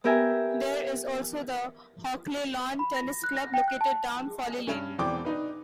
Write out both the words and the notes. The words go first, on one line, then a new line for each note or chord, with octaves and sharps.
There is also the Hockley Lawn Tennis club, located down Folly Lane.
B3 G4 A#4 E5 G#5
B5
A#6
F#6
A#6
G5
F#6
A5
G2 C#4
E1 E3 C4 D5 G5 D6
D4 D#4 B4